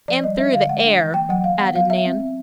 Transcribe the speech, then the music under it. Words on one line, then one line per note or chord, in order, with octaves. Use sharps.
"And through the air," added Nan.
F3 D5
G3 D#5
D4 E5
D3 F5
G#3 F#5
D4
E3
A#3 G5
F#3 F#5
F#3 F5
B3 F#5
F#3 F5
F#3 E5
C4
C4